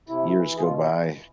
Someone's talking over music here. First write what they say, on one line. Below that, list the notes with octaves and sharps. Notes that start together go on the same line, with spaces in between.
years go by,
C3 E4
E3
G#4
B2 F4